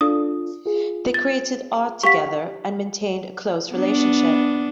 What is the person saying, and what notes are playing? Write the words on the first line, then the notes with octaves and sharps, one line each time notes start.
They created art together, and maintained a close relationship.
D4 F4 A4 D#6
F4 G#4
A6
G4 F5 F#5 C#6 B6
B3 D4